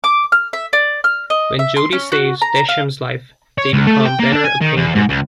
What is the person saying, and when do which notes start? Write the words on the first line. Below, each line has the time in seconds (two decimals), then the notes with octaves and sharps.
When Jody saves Desham's life, they become better acquainted.
0.04 D6
0.32 F6
0.53 E5
0.73 D5
1.04 F6
1.30 D#5
1.59 E5
1.77 C6
1.92 C#4
2.12 F#4
2.42 A#5
2.69 F5
3.58 C#5
3.73 C#2
3.87 A3
4.05 G5
4.19 A#3
4.32 D4
4.44 G#5
4.61 D#3
4.77 E2
4.95 G#2
5.09 C#2